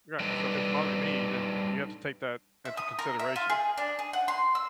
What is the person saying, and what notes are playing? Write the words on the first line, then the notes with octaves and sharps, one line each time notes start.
Right, "So if it's bothering me, then you have to take that into consideration."
G3 D4 D#4 A4 B4
E5
D#6
A#4
E5
F4
G#4
D4
G#4
F#5
C6
E6